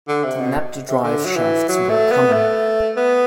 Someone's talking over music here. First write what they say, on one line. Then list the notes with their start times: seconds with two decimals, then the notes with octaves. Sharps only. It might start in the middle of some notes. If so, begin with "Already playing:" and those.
Snapped drive shafts were common.
0.08 D3
0.24 C3
0.40 B2
0.89 C3
1.04 D3
1.25 F#3
1.36 E3
1.69 F#3
1.89 A3
2.12 B3
2.32 A3
2.96 B3